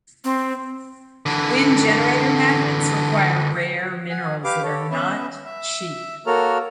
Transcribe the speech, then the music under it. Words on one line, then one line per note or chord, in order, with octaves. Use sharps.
Wind generator magnets require rare minerals that are not cheap.
C4
D3 E3
F#5 G#5
G4 B4 F5 D6
A4 C#5
B3 C#4 B4 E5
E5
A#3 F#4 A4 A#4 C#5 F6